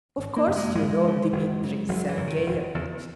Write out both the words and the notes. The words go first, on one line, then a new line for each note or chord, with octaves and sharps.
Of course you know Dmitri Sergeevich?
G#1
A#3
F#2 C#3
G#3
G#1 G#3
F#2 C#3
F#1
F#2 C#3
F#1 F#3
E3
F#2 C#3
D#3
E1
E2 C#3